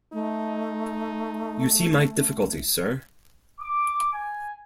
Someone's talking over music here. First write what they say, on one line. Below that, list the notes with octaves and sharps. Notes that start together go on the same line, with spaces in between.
You see my difficulty, sir?
A3 D#4
D6
G#5